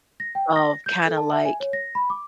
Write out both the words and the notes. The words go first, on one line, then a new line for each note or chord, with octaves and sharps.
of kinda, like,
A#6
G5
A#6
G6
A4
A5
E5
G#5
C#5
A#6
B5
D6